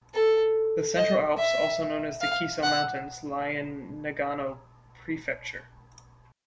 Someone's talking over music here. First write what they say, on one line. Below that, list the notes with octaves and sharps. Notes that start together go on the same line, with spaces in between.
The Central Alps, also known as the Kiso Mountains, lie in Nagano prefecture.
A4
D#5
E5
F5
F#5